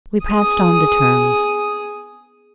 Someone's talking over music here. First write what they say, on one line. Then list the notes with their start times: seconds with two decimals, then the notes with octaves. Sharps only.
We passed on to terms.
0.23 G#4 D#6